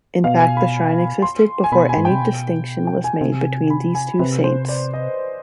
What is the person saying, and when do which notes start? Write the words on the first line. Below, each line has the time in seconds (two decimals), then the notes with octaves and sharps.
In fact the shrine existed before any distinction was made between these two saints.
0.24 B2 F5
0.40 G#5
0.57 B5
1.22 C6
1.64 G#5
1.72 B2 B5
1.89 G#5
1.97 G#2
2.05 G5
2.11 C3
2.21 B2
2.87 G5
3.04 G#5
3.21 C3
3.70 B5
3.95 G#5
4.20 C3 B4
4.44 C5
4.69 D5
4.93 D#5